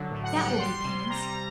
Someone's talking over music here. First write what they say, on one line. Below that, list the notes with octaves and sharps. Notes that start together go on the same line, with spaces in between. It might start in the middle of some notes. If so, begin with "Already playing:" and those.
THAT will be penance.
Already playing: D3 F#3
A2
F#5
G3 G5
G3 C6
C3
G3 A#5